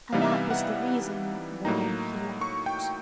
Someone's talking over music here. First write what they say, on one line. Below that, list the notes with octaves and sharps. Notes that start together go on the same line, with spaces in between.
And that was the reason why he laughed.
C3 E3 G3 B3 D#4 F5
E5
F5
F#5
A2 F#3 A#3 D#4 A#5
C#6
G5